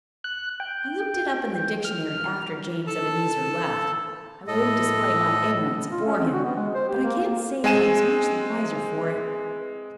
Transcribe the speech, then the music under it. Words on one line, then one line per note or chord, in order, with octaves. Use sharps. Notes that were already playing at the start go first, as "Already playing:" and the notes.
I looked it up in the dictionary after James Ebenezer left--I wouldn't display my ignorance afore him--but I can't say that I was much the wiser for it.
F#6
G5
F6
A4 A5
A2 A4 D#5
F4
C#4
C4
F#4
B3
G#3
C5
G4
A#3
A#3
G#3 C4 G#5 D#7 E7